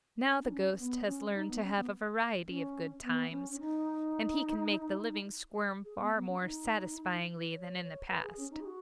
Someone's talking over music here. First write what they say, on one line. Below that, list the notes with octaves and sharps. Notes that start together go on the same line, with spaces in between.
Now the ghost has learned to have a variety of good times, and he can make the living squirm far more satisfyingly than in the past.
C#4
D#4
C#4
B3
C#4
D#4
B3
C#4
B3
C#4
B3
C#4
C#4
D#4
G#4
B3
B3
C#4
D#4
C#5
C#5
B4
G#4
C#4
D#4
G#4
F#4